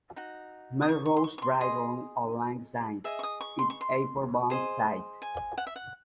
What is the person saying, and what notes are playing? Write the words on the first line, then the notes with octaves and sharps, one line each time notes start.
Melrose Drive runs alongside its airport-bound side.
D#4 F#4
D#6
C#6
C#6
C6
C#6
C#6
C6
G#4 D#5 C6
G#4 D#5 E5
C#6
D#6
C#6
C6
C#6
C6
G#4 C5 D#5
G#5
F#5
E5
F#5